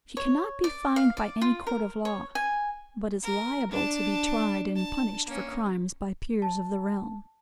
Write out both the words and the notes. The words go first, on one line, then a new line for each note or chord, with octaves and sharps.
She cannot be fined by any court of law; but is liable to be tried and punished for crimes by peers of the realm.
C#5
D5
F5
D5
F4
A#4
C#5
G#5
A#4
D4 A5
A5
A#3 C#4
A5